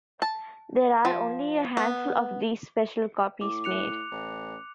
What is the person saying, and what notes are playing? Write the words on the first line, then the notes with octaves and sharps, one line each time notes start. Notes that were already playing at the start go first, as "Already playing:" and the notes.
There are only a handful of these special copies made.
A5
F3
B3
A2 D6
F#6 C#7 F7
A1